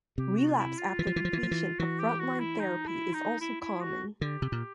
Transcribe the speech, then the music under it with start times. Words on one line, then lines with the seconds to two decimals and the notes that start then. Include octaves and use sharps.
Relapse after completion of frontline therapy is also common.
0.18 C3 G4
0.38 F#4
0.49 F4
0.58 E4
0.79 F4
0.99 E3
1.07 F3
1.16 E3
1.25 F3
1.33 E3
1.43 F3
1.51 E3
1.79 E3 F#4
1.99 G4
2.20 F#4
2.40 E4
2.60 D#4
2.87 E4
3.14 D#4
3.41 E4
3.61 E4
3.81 F#4
4.21 D3 G4
4.42 C3
4.52 A#2